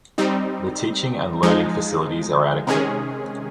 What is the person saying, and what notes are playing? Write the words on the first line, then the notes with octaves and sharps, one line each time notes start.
The teaching and learning facilities are adequate.
G3 C4 D#4
F3 G#3 D#4
C3 D#3 G#3 C#4 G#4